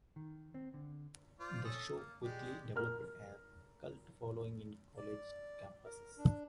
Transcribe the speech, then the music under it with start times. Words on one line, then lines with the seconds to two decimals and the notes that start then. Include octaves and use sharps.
The show quickly developed a cult following in college campuses.
0.16 D#3
0.54 C4
0.74 D3
1.40 F4 C5 D5
1.65 C#4 A4 D#6
1.94 A#3
2.23 G#3 G4 D5
2.76 A#4 F6
4.97 D5
5.85 A#4
6.18 D4